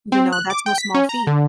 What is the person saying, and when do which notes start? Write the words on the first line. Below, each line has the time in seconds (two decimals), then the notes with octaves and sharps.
you know, that's no small feat.
0.12 C4
0.32 F#6
0.50 D6
0.66 G5
0.78 B6
0.94 C#4
1.09 A#5
1.27 D3